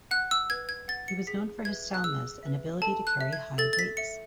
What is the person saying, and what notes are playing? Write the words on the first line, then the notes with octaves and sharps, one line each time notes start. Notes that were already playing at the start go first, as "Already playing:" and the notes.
He was known for his soundness and ability to carry high weights.
F#5 F#6
E6
B4 G#6
G#6
F#5 A6
C#7
G#4 B6
B4 E5 G#6
F#6
G#4 E6
B4 E5
A4 A5
F#6
E5
G#6
A4 A6
A6
B6
E5 C#7